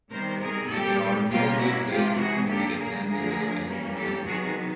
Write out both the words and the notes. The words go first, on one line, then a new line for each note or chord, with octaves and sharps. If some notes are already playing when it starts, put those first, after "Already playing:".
They are normally played with only the hands in a standing position.
C3 D#3 G3 B3 A#4 C5
G#4 A#4
A#2 G3 C4 G4 A4
B2 G3 A#3 C#4 F4 G4
E4 F#4
C3 E3 G#3 F4 G4
F#4 G#4
D3 F#3 A#3 G4 A4
G#4 A#4
D3 F3 A3 G#4 A#4
E3 G3 A#3 C#4
G4 A4
C3 D#3 F#3 B3 F#4 G#4